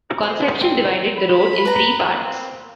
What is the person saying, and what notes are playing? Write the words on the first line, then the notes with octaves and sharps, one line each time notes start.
Conception divided the Road in three parts.
B3 C5 D#5
C4 G5
B5
B4 A#5
A#3 C4